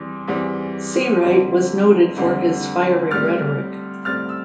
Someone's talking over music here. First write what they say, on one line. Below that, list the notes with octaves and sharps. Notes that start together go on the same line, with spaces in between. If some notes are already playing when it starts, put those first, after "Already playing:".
Seawright was noted for his fiery rhetoric.
Already playing: E2 E3 G3 C4
E2 E3 G3 C4
F2 D3 G3 C4
F2 D3 G3 C4
A2 G3 C4 F6 A6
A2 G3 C4 F6 A6
E6